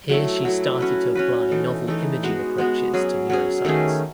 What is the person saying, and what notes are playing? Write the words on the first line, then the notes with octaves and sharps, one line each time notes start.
Here she started to apply novel imaging approaches to neuroscience.
F#3 A3 E4
F#3 A3 E4
C#4 F#4 B4
C#4 F#4 B4
E3 A3 D#4
E3 A3 D#4
G#3 B3 F#4
G#3 B3 F#4
F#3 C#4 G#4
F#3 C#4 G#4
D#3 A3 C#4 G#4